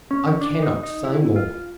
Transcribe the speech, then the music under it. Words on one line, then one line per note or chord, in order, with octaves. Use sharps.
I cannot say more.
C#4
D4
D#4
D#4
E4
F4